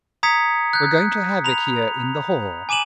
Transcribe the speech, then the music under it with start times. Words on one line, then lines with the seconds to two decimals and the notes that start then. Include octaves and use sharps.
We're going to have it here in the hall.
0.23 A#5 D#6 G#6 B6 C#7
0.73 F#6 G6
1.44 A#5 B5 F7
2.69 G#5 D6 D#7 E7 F#7